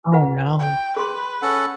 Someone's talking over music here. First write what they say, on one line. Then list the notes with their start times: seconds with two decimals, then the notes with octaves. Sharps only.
Oh, no.
0.12 F4 B4 F#5
0.59 G5
0.96 G#4 B4 C6
1.42 C#4 A4 F#5